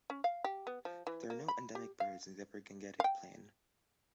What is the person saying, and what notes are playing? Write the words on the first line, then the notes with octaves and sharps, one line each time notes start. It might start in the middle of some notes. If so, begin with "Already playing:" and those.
There are no endemic birds in the upper Gangetic Plain.
C#4
F5
G4
B3
F3
E3
A#3
B5
G4
F5
F5 G5